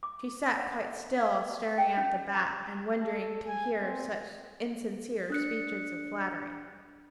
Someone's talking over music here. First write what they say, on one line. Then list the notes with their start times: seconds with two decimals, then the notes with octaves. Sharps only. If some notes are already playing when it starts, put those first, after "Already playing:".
She sat quite still staring at the Bat and wondering to hear such insincere speeches of flattery.
0.03 D6
0.60 F#5
1.20 F5
1.78 G5
1.97 C#4
2.35 A#5
3.01 A4
3.47 G#5
3.81 C4
5.30 D4 F#6 C#7